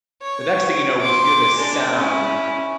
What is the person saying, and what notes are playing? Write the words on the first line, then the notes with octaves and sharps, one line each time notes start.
the next thing you know, we hear this sound
C#5
C6 D6
G#3 D4
C#4 E4